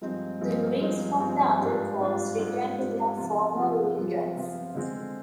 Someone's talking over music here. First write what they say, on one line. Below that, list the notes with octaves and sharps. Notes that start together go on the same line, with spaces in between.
The rings from the other corps return to their former wielders.
G2 F3 G#3 C4 D#4
G2 F3 G#3 C4 D#4
G2 F3 G#3 C4 D#4
G2 F3 G#3 C4 D#4
G#2 G3 D4 F4
G#2 G3 D4 F4
G#2 G3 D4 F4
G#2 G3 D4 F4
C3 F3 B3 F4
C3 F3 B3 F4
C3 F3 B3 F4
C3 F3 B3 F4
D3 G#3 C4